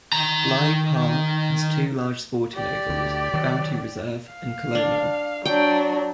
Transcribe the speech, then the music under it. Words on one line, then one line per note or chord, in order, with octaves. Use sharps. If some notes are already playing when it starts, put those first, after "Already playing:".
Bligh Park has two large sporting ovals: Bounty Reserve and Colonial.
D#3 A#5
G4 D5
D2
D#3 F#3
F5
D4
F#3 D4 G5